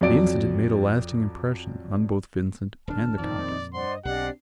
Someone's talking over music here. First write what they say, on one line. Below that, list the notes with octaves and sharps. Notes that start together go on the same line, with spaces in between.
The incident made a lasting impression on both Vincent and the Countess.
F2 F#3 D5 D7
D#1 D4 A5 F6
F2 A#2 D#3 C4 D#4 D5
G2 C5 D5 D#5 F#5 C6
B1 C4 D4 G4 D5 D#5 F#5 C7